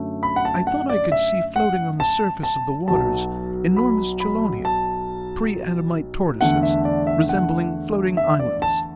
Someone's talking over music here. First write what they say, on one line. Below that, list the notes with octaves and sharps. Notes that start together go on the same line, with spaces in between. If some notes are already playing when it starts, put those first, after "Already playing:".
I thought I could see floating on the surface of the waters enormous chelonia, pre-adamite tortoises, resembling floating islands.
Already playing: F#2 D3 A3
B5
F#5
A5
F#5
D5
E5
F#5
A5
A5
B1 B2 F#3 A5
B5
B5
A5
E2 D3 A3 F#5
E5
D5
E5
F#5
E5
D5
A5